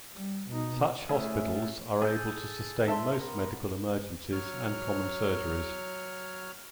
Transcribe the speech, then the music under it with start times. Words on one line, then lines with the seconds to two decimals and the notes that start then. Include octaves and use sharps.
Such hospitals are able to sustain most medical emergencies and common surgeries.
0.15 G3
0.49 B2 D#4
1.09 A3 C#4 E4 G#4
2.02 G#4 A4 G6
2.88 A4 E5 A5 C6
3.13 B3 A#4 A#5 C6
4.32 F#3 C#5 F6